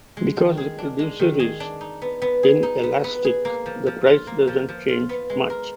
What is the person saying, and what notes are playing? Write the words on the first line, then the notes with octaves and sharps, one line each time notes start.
Because the producer is inelastic, the price doesn't change much.
G#3
D#3
G#4
D4
G#3
D#3
G#4
D4
D#4
B3
B3
G#4
D#4
B3
B3
G#4
A#3
F3
F3
F4
A#3
F3
F3
F4
B3
G#3
A#4